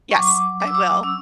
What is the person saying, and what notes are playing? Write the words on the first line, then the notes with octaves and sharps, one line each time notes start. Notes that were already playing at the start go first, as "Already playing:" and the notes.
Yes, I will.
C#6
F#3 D6
F#3 D6
E6
D6
C#4 E6